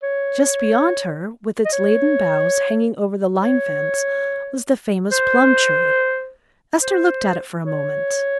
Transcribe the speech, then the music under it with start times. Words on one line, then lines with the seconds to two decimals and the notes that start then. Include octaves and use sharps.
Just beyond her, with its laden boughs hanging over the line fence, was the famous plum tree. Esther looked at it for a moment.
0.03 C#5
1.65 D#5
1.73 C#5
3.43 C#5
5.12 C5
6.82 C5
7.66 C#5